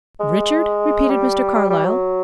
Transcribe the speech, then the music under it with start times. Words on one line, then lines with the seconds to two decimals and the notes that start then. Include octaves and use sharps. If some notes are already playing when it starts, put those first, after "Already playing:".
"Richard!" repeated Mr. Carlyle.
0.20 G#3
1.10 G3
1.55 G3
1.70 G3
1.85 F#3